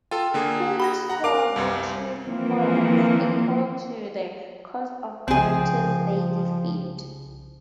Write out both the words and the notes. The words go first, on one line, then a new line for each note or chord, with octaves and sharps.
Players score victory points equal to the cost of characters they defeat.
F4 A4 G5
D3 A#3 G#4
B5 D#6 A#6
F#5 A#5
A#4 F5 D6
C2 F#2 G3
E3 F3 A#3 C4
C2 C#3 F3 C4 G#4